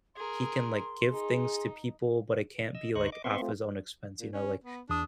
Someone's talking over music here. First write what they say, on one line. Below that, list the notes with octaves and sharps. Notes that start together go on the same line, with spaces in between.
he can, like, give things to people but it can't be, like, off his own expense, you know, like,
G#4 A#4 C6
D#4 G#4
D#5 E6
D2 D#4 C5 D#5 C#6 F#6
D#5 D6
B3 C4 E5 C6 C#6
A3 C4 F4
A#2
C#4
B3
E2 D4 D#6